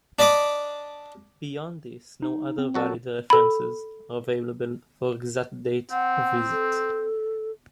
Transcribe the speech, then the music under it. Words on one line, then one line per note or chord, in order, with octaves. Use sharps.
Beyond this no other valid references are available for exact date of visit.
D4 D5 D#5 B5 D6
D#4
C4
F#3 F#4 A4
A4 B5
C4 F#5
A4